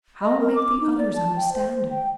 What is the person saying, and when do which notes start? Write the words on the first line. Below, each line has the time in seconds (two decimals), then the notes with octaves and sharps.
How make the others understand it?
0.23 D#5
0.40 A#4
0.56 D6
0.81 D#4
0.98 D5
1.16 A5
1.36 G5
1.53 C5
1.90 G5